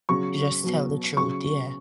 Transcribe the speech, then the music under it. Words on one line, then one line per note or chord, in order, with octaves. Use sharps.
You just tell the truth, yeah.
C#3 F#3 C#6
B2 F#3
C#3 F#3 C#6